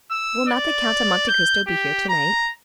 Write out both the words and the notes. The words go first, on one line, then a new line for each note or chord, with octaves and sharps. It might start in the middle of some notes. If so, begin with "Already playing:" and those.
"Will not the Count of Monte Cristo be here to-night?"
E6
D5
G6
G4
A#5